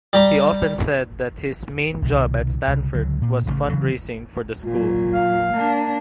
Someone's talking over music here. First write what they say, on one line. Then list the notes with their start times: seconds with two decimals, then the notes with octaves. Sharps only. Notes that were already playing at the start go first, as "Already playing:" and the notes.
He often said that his main job at Stanford was fundraising for the school.
0.13 G3 G4 A#5 D6
2.02 C2 B2 D#3
2.68 C2 C#3
2.94 C#2 D3 F#3
3.22 A#2
3.46 A1 C#3
3.70 C#3 E3 F#3
4.65 A#2 F#3 F4
5.13 F5
5.53 A#3 D4